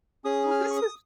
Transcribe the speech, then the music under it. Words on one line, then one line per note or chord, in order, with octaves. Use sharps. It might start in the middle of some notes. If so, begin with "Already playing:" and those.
Well, this was
C#4 G#4 D#6
F6
C#6
D#6